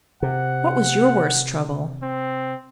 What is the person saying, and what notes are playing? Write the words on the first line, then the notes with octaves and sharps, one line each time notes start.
"What was your worst trouble?"
C3 F#5
C4